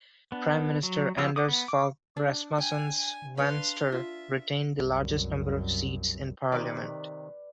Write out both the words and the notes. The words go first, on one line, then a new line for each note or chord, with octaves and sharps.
Prime Minister Anders Fogh Rasmussen's Venstre retained the largest number of seats in parliament.
B3 D4
F#3
F3 B3 G4 F5 E6
F#5 D6 D#6
B3
D6
D4
G5 G#5
G#5
D4 B4 F5 B5 C6
F4 E5
C2 F#2
C3 D#3 B4 D5